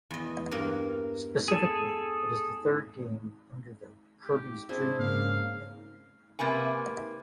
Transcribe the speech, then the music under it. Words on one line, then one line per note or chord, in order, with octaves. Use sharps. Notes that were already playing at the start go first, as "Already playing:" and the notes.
Specifically, it is the third game under the "Kirby's Dream Land" name.
E2 D#5
G2 A#3 A#4
G#4 A4
G4
C4 D4 E4 G#4
G#2 C#3 A#3 F5
C3 A#3 B4 G#5